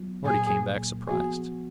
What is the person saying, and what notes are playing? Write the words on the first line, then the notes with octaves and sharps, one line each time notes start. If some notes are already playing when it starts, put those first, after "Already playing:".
Marty came back surprised.
Already playing: F#3 B3 F4
A#2 F#3 A#3 G#4
F3 B3 F#4 G#4